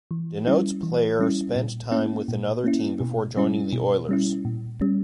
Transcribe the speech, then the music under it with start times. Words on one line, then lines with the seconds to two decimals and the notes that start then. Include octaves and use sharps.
Denotes player spent time with another team before joining the Oilers.
0.11 E3
0.47 G3 C#4 E4
0.83 E3
1.19 G3 C#4 E4
1.56 A#2
1.91 A#3 C#4 E4
2.28 A#2
2.64 A#3 C#4 E4
3.00 B2
3.37 G3 C#4 E4
3.72 B2
4.09 G3 C#4 E4
4.45 A#2
4.81 G3 C#4